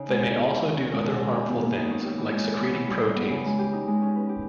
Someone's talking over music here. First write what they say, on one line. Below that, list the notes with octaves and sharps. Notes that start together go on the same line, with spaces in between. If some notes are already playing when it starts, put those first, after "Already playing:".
They may also do other harmful things, like secreting proteins.
Already playing: C#3 C#4 D#4
G#3
G4
B3
E2
D#3
C#4
G#3
B2
G#3
G4
B3
A#3
D#4
C#5
G4
E3
G#3
E3
B3
E3
G3
E3
B3
C#3
G#3
G4
D#4
G#3
C#4
B4
G4